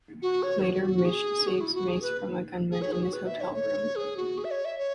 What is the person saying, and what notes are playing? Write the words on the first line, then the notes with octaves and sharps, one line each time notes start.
Later, Mitch saves Mace from a gunman in his hotel room.
F#4
C#5
F#4
G#4
F#4
E4
F#4
G#4
B4
G#4
C#5
G#4
F#4
B4
E5
C#5
C#5
G#4
F#4
G#4
E5
C#5
E5
C#5